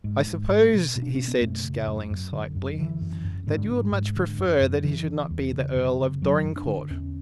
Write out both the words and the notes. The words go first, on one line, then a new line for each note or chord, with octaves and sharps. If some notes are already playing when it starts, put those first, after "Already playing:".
"I suppose," he said, scowling slightly, "that you would much prefer that he should not be the Earl of Dorincourt."
G#2
G#2
G#2
B2
B2
D4
B2 C#4
B3
F#2 A3
C#3
F#2
F#2
D3
F#2
D3 E3
F#2
F#2
G#2 D3
G#2
G#2
D3
F#2
F#2
D3 E3
D3
E2
C#3
F#2
C#3
F#2 F#3
F#2
D4
D3
E2 C#4